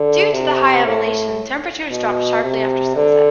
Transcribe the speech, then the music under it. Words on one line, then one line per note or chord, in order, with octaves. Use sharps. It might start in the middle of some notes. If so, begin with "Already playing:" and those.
Due to the high elevation, temperatures drop sharply after sunset.
Already playing: D3
C3
A2
B2
C3
D3